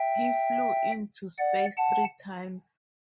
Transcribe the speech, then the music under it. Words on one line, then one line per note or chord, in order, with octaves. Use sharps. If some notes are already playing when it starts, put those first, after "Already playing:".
He flew into space three times.
Already playing: E5 G5
D5 F#5
F#5 A5